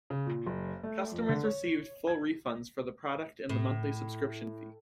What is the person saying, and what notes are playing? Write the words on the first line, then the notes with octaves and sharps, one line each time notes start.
Customers received full refunds for the product and the monthly subscription fee.
C#3
A#2
F#1
A3
F2
D3
C#5
G#6
A2